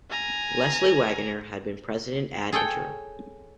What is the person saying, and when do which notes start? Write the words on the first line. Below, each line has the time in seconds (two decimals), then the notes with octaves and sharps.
Leslie Waggener had been president ad interim.
0.10 G#5 A#5
2.52 G#4 A4 C#5 G5